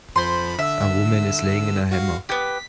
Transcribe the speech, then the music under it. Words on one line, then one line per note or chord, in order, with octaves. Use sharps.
A woman is laying in a hammock.
F2 F3 C5 B5 C6
D3 E5 E6
F#4 F5
B3 G4 B6